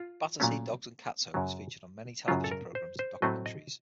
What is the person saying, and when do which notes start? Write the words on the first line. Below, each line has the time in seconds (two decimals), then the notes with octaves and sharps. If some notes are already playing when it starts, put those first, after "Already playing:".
Battersea Dogs and Cats Home has featured on many television programmes and documentaries.
Already playing: F4
0.40 A#2 F#3 A3 C#4
1.34 F#2 C#3 F#3
2.28 F#2 C#3 F#3 F4
2.44 A4
2.51 A#4
2.75 C5
2.99 C5
3.22 A2 F#3 A3 C4 D#5
3.46 D#5